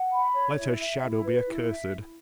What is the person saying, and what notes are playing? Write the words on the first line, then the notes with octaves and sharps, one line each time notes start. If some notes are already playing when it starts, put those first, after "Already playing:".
Let her shadow be accursed.
Already playing: F#5
B5
C#5
E4
E5
E4
B4
E4
E5
E4